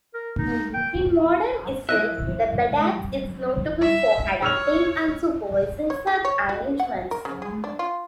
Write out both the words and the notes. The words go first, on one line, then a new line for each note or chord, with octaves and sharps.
In modern Israel, the "badatz" is notable for adapting and supervising such arrangements.
A#4
D#4
G5
E4 D#5 E5 F#6
E5
C#5 E6 F6 F7
C#5
G#4
C#5
F#4
F#5
A#4
C#3
G#4
D4
F4